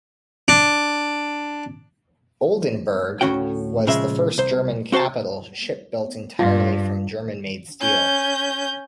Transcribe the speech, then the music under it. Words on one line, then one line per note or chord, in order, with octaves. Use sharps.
"Oldenburg" was the first German capital ship built entirely from German-made steel.
D4
D2 A2 C#4 F#4 G5
A#2 C#3 F3 G#3 E5
C2 C5
C4 F#4 C5 G5 A5
G2 F4
C#4 G6